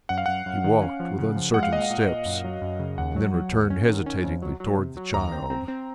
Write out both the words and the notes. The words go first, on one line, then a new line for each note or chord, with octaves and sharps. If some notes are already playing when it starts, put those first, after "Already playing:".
He walked with uncertain steps and then returned hesitatingly towards the child.
F#2 F#5
F5
F#2 F#5
F#2
D#3
C#4
F3
C#3
F3
G#3 F#5
F5
A#2 D#5
F5
A#2
A#2
F#2
F#3
F#2
C#3
D#2 F#5
F#3
F#3
D#2
C#4
D#3
C#4
F2
F#3
F#3
C3
F#3
D#2 A#5
C4
C4
C4